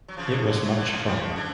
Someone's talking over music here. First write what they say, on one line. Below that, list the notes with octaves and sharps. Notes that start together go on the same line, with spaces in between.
It was much fun.
F#3
C#3 F3
D3
F3
D3 F#3
F#3 A3
D3 F#3
C#3 F3
C#3 F3
D3